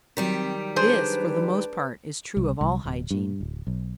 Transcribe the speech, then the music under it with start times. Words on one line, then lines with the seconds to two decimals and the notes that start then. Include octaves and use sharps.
This, for the most part, is true of all hygiene.
0.17 D#3 F#3 G3 C4 G4 B6
0.76 D4 G#4 B4 C5
2.37 C2
2.61 C2
2.85 D1
3.11 G2
3.40 D1
3.67 B1